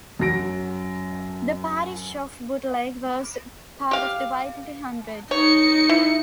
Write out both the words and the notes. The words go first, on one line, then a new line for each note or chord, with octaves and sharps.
The parish of Butleigh was part of the Whitley Hundred.
F#2 F#3 A#6 D7
G4 F5
D#4 C#5 C#7
E4